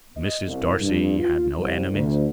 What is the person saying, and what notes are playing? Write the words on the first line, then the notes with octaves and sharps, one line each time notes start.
"Mrs. Darcy had no enemies?"
D#5
C2
G2
F4
C2
D2